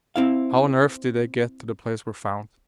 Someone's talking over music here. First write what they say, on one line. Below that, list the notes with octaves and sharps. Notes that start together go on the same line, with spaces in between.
How on earth did they get to the place where found?
C4 E4 F5